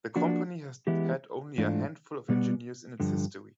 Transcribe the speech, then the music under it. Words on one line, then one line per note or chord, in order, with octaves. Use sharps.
The company has had only a handful of engineers in its history.
F3 A#3 D4 F#4
E3 G#3 B3 E4 G4
G#2 E3 A3 D4 F4
B2 G3 B3
G2 D3 F3